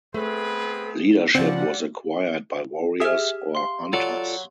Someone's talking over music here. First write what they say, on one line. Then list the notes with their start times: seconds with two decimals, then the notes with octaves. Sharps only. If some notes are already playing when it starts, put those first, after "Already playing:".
Leadership was acquired by warriors or hunters.
0.14 A3 B3 C4 G#4 B4
1.35 C#3 F3 G3 C4 D5 F#5
3.00 G4 G#4 E5 F6
3.55 F5 C6
3.93 F#3 F4 A4 D5